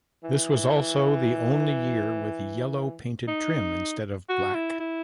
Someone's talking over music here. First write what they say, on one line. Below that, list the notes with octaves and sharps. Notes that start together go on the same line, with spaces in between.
This was also the only year with yellow painted trim instead of black.
E3
D#4
F#4
E4
E4